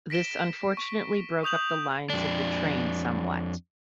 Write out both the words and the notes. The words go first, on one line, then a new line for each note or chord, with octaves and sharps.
This unfortunately broke up the lines of the train somewhat.
A#6 B6 D7 E7 G7
C#6 B6
C#6 D#6 G6 F7 F#7
F2 D4